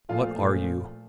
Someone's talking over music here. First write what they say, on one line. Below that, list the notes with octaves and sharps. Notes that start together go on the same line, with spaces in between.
What are you?
A#2 F3 A3 F4 F5
A#2 F3 A3